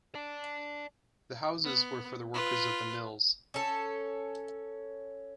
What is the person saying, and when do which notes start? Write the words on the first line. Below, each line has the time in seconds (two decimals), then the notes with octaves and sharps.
The houses were for the workers of the mills.
0.15 D5 A5
1.64 B3
2.33 F4 B4
3.54 C#4 A4